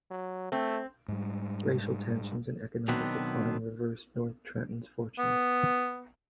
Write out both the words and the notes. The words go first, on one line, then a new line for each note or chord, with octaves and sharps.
Racial tensions and economic decline reversed North Trenton's fortunes.
F#3
A3 C4
G#2 G3
B2 D#3 F#3 B3 C4 D4
B3